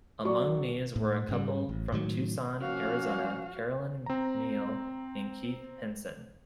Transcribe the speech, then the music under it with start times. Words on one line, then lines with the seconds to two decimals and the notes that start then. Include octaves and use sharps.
Among these were a couple from Tucson, Arizona, Carolyn Meinel and Keith Henson.
0.25 F#3 D5 C#6
0.96 A2
1.29 G#2 C#3 G3
1.69 A1
1.92 A2 D#3 F#3
2.61 F3 A#3 C#4 F#4 F5
4.06 C4 A#5